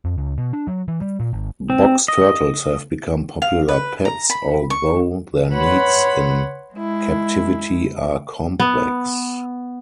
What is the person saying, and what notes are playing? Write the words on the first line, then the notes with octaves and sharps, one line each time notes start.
Box turtles have become popular pets, although their needs in captivity are complex.
F2
C#2
B2
D4
F#3
E3
G3
A#2
G#1
C4
D#5
F5
B4
A#5
B5
C#6
B4 C#5 F#5 B5 C6
G#3 E4
B3